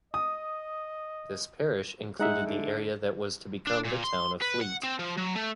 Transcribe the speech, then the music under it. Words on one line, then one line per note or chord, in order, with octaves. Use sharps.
This parish included the area that was to become the town of Fleet.
D#5 D#6
G#3 D#4 E5 F#5
D3
D4
A#2
C6
B4
F#5
C4
F3
F#3
A3